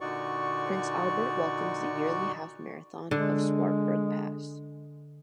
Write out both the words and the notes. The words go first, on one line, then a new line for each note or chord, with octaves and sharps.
Prince Albert welcomes the yearly half marathon of Swartberg Pass.
A#2 D3 D#4 F#4 D5 C#6
D3 G#3